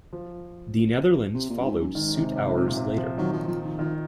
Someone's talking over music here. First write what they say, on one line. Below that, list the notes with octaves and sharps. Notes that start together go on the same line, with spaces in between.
The Netherlands followed suit hours later.
F3
C3
A#2
F#2
G#2
F#2
G#2 D#3
C3
C3
C3
A#2
C3
F3
D#3 F#3
F3
F3
D#3
D#3 F3